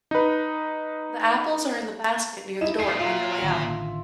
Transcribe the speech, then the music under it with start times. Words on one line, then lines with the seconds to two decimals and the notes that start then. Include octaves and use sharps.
The apples are in the basket near the door on your way out.
0.11 D#4 B4
2.61 D#4 E4 E7
2.80 A3 G#4 C7
3.00 A#2 F4 E5
3.42 A1 D3 D#3